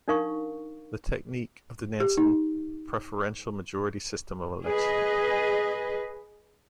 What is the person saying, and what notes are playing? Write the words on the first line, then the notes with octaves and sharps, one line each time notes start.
The technique of the Nanson preferential majority system of election.
D4 D#4 A#4 F5 C#6
G4
D#4
G#4 B4 D#5